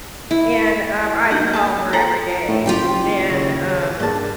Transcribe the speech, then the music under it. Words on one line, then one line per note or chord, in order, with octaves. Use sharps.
And, um, I'd call her every day and, um,
E4
F#3 A#3 D#4 F#5 G6
C#4 G#4 A5
F4 A4 G5 A#5 F#7
A2
F#1 F4 G4 G5
D#2 C#3 C#5
G2 A#3 G#4 A5